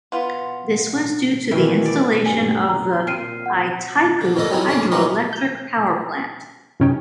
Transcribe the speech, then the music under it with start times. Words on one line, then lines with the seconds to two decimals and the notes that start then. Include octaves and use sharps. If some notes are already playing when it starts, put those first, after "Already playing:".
This was due to the installation of the Itaipu hydroelectric power plant.
0.12 B3 F4
1.51 B2 D#3 E3 E4
1.86 D5
2.26 G2 G#5
2.69 F1 A#5
3.07 A#2 C4 F6 C7 D#7
3.46 F#5
4.21 D3 F3
4.36 F2 A#2 D3 F3 A4 D#5
4.50 F#3 G3 C4 D#4 E4 G#4
4.66 F2 C#3 D4 F4 G#4 C#6
4.92 F#3 D#4 G4 A#4 B4 C#6
5.33 G6
6.80 F#2 C3 C#4 D#4 G5 G#5